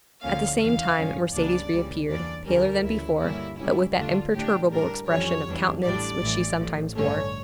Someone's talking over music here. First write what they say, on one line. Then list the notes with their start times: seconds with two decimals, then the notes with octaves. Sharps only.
At the same time Mercedes reappeared, paler than before, but with that imperturbable expression of countenance which she sometimes wore.
0.23 D2 D3 F3 A#3 C#4 F5
0.59 E2 C#3 E3 F5
0.97 G2 F3 C#4
1.34 C#2 C#3 G3 A#3 D4 D5
1.72 C#2 C#3 E3 G3
2.10 E2 E3 A#3 D4 D5
2.47 D2 D3 G3 C#4 A#4
2.84 D2 C#3 E3 E4
3.22 G2 D3 G3 A#3 C#4 E4
3.59 C#2 C#3 G3 C#4 E4
3.97 E2 D3 A3 D4 F4
4.34 A2 G3 D4 G4
4.72 A2 G3 D4 A#4
5.09 F2 E3 G3 C#4 C#5
5.47 E2 E3 G3 D4
5.84 A1 A2 G3 D4 D5
6.22 A1 A2 E3
6.60 A1 A2 F3
6.96 G2 D3 A3 C#4 C#5